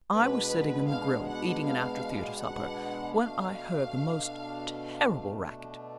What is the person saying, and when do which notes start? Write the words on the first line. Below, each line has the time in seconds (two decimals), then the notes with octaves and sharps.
I was sitting in the grill, eating an after-theater supper, when I heard the most terrible racket.
0.13 B2 G#3 B3 D4 B4
0.90 F5
1.27 F#5
1.66 F5
2.41 F#5
3.17 B2 A3 D4 F5